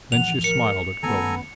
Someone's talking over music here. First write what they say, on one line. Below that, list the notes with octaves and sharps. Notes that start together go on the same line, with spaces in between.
Then she smiled at Quillan.
A2 E3 F3 F#5 F7
A#4 C#7
D#3 A3 B3 C#4 A4 G#5 A#5